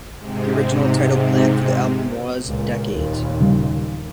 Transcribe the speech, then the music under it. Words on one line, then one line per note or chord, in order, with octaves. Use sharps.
The original title planned for the album was "Decades".
G#2 C3
C#2 A#2
D#2 A#2
C#3 G3